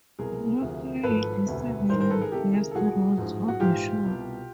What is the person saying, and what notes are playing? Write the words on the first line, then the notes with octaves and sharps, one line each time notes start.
Buller played several guest roles on the show.
C2 B2 G#4 A#4
D2 C3 F3
G#1 G#2 F3 A4 B4
E1 D2 C3
A1 G#2 D#3 A#4 C5
A#4 C5
A4 B4
G#4 A#4
C#2 C3 D#3 G4 A4
G#4 A#4
A4
C2 A#2 F3 F#4 G#4
A1 G#2 F3
F#4
A#1 G#2 E3 F4 G4
C2 B2